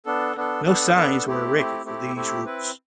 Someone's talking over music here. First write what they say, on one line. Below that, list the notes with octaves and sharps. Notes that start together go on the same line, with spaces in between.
No signs were erected for these routes.
B3 D4 A4
B3 D4 A4
B3 D4 A4
B3 D4 A4
A3 C4 E4 G4
A3 C4 E4 G4
A3 C4 E4 G4
A3 C4 E4 G4
C4 E4 B4